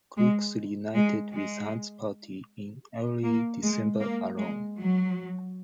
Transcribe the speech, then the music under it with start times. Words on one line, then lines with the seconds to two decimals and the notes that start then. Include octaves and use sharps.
Crooks reunited with Hunt's party in early December alone.
0.17 G#3
0.94 G#3
1.33 G#3
3.23 A#3
3.62 G#3
4.00 A#3
4.38 G#3
4.77 F#3